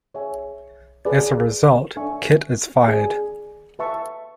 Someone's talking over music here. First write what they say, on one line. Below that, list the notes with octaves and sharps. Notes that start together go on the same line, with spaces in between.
As a result, Kit is fired.
G#4 C#5 E5 G#5
G#4 B4 D5
D4 A4 E5 G#5 C#6
G#4 D5 G#5
B4 E5 A5 C#6